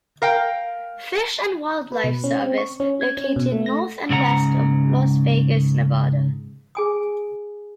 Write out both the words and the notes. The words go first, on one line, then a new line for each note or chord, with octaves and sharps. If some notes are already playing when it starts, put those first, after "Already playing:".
Fish and Wildlife Service, located north and west of Las Vegas, Nevada.
A#4 F5 G5
B4
B2
C#4
C4
C#6
C#4
G#6
C#4
B2
A3
A#6
G#2 C#3 G#4 F#5 A#5
G#4 G#5 D#6